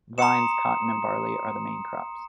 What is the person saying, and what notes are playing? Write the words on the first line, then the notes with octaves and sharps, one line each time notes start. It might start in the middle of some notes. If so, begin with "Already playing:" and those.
Vines, cotton and barley are the main crops.
A#5 C6 D#6 C#7 E7